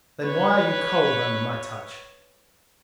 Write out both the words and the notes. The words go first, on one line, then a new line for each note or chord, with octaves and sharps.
Then why are you cold under my touch?
B4 C#5